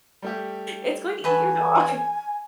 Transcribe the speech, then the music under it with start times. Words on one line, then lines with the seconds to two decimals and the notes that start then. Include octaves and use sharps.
It's going to eat your dog.
0.22 G3 A3 G4
1.24 E3 F#3 B4 G#5 A5